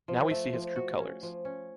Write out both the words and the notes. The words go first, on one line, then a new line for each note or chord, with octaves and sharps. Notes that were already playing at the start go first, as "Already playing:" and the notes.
Now we see his true colors.
F3
A3
F3
F#4
C#4
F3
C#4